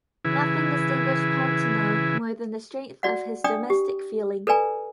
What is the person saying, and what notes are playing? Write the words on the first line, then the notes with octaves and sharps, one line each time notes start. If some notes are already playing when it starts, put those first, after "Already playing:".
Nothing distinguished Pontano more than the strength of his domestic feeling.
C#3 E3 E4 G#4 B4
F#4 D5 F#5
D4 D5 G5 D#6
G4
A4 B4 D5 G#5 A#5